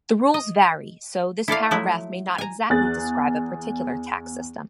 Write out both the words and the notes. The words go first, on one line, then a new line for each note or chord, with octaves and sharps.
The rules vary, so this paragraph may not exactly describe a particular tax system.
D#5
E4 A4 D5 F5
F3 F#3 A3 E4
G#5 A#5
E2 G#4 F#6 A6